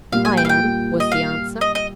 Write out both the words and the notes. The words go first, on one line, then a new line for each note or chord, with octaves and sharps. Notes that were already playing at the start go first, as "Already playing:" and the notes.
"I am," was the answer.
A#2 G3 A#3 F4 F5
G#5
G5
F5
G5
D#5
F5
D#5
D#5